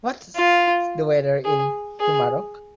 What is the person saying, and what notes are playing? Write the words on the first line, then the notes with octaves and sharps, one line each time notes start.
What's the weather in Humarock?
F4
G#4
G#4